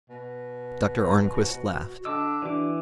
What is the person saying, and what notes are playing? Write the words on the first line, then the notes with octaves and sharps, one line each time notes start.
Dr. Arnquist laughed.
B2
F#4 C5 A#5
D3 D#5 G5 A5 D6 E6
E3 D4 F#4 D5 D6